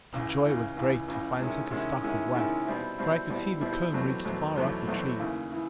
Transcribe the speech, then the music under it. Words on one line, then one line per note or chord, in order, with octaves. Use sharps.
Our joy was great to find such a stock of wax, for I could see the comb reached far up the tree.
C#2 C#3 E3
C#2 C#3 E3
C#2 C#3 E3
C#2 C#3 E3
C3 D#3 G#3 C#4 E4
C3 D#3 G#3 C#4 E4
C3 D#3 G#3 C#4 E4
C3 D#3 G#3 C#4 E4
B2 G3 C4 E4
B2 G3 C4 E4
B2 G3 C4 E4
B2 G3 C4 E4
E2 B2 F#3 A3 C4
E2 B2 F#3 A3 C4
E2 B2 F#3 A3 C4
E2 B2 F#3 A3 C4
D#2 C#3 E3
C#3 E3